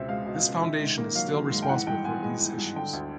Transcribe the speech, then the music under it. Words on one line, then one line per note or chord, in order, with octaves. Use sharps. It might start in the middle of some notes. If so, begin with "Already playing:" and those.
This foundation is still responsible for these issues.
Already playing: C#2 B2 C4 E5
G#3 F5
B2
F5
C#2
D#3 E5
G#2
A#3
F#3 F5
D#3
G#2
G5
E3 F#5
G2 G5
B3 G#5
G#3 G#5
E3
G2
D3 G5
D2